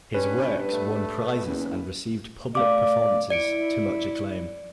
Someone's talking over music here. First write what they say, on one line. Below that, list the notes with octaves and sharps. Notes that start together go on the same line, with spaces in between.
His works won prizes and received public performances to much acclaim.
G2 C#4 B4
A3
F#1 E2
A3 D5 F5 D6
E4 D5 C#7 D7